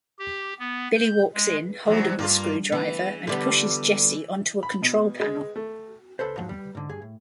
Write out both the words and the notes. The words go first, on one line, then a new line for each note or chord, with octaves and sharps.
Billy walks in, holding the screwdriver, and pushes Jesse onto a control panel.
G4
B3
G6
G#3
E2 G#2 F#3
G2 A#3 F4
E3 B3
D3 G3 B3
B5
B2
G#3
A3
C#2 A4 B4 C5
G#2 F3 F#3
G3
G#2 D3
G2 G#4
A2